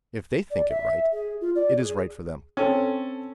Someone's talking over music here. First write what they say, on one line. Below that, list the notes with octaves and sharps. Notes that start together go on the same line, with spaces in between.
If they think it right, it is right for them.
D5
E5
G#4
F4
D5
G#4
C4 C#4 A4